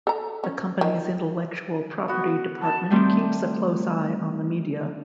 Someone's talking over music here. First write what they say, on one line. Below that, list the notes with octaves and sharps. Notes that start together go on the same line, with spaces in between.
The company's intellectual property department keeps a close eye on the media.
A4 A#5
C#4
D#3
B3 F#4
A5
D#3 G3 A3 C4 G4